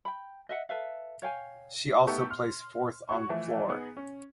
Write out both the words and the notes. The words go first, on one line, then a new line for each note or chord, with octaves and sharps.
She also placed fourth on floor.
G5 B5
D#5 E5 F#5
A4 B4 E5 F5
C#5 F5 G5 G#5
A3 B3 D#4 G4 A4 C#6
C6 F6
F#4 C#5 C#6
E3 F3 A3
B3 D#4 G#4
C#4